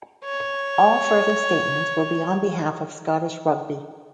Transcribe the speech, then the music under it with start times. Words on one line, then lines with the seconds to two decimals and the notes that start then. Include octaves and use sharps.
All further statements will be on behalf of Scottish Rugby.
0.25 C#5